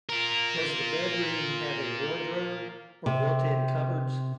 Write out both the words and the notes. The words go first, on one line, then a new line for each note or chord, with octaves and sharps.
Does the bedroom have a wardrobe, or built-in cupboards?
F4 A#4
C3